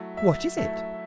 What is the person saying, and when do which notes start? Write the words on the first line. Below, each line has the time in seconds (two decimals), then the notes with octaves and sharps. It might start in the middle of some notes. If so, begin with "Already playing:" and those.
"What is it?"
Already playing: F#3 A3 E4
0.17 E5
0.57 F#3 A3 E4 E5